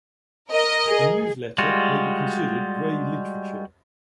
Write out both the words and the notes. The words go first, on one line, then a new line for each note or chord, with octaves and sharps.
A newsletter may be considered grey literature.
A#4 D#5
G#4
G3 G#3 F4 F#4